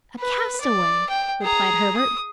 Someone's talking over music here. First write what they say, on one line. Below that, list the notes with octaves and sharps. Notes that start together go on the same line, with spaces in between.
"A castaway!" replied Herbert.
B4
D5
G5
G#4 A#5
D#6